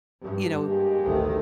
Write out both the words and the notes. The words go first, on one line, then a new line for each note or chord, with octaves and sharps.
you know,
G2
G#3 A#3 G4
A1 D2 D#3